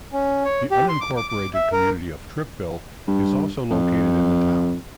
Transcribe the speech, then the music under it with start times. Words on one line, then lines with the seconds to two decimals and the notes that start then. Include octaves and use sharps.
The unincorporated community of Trippville is also located in the town.
0.13 C#4
0.45 C#5
0.71 G4
0.89 C6
1.01 D6
1.17 D6
1.29 D6
1.54 E5
1.72 A#4
3.07 G2
3.71 F2